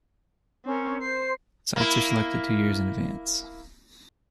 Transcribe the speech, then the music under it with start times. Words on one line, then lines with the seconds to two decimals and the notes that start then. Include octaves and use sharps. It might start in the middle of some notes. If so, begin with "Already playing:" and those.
Sites are selected two years in advance.
0.65 C4 C#4 A#4
1.02 C5 C7
1.76 A#3 E4